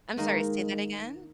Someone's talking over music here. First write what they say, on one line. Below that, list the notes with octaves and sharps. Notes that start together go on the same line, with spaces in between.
I'm sorry, say that again?
D#3 G#3 A#3 D#4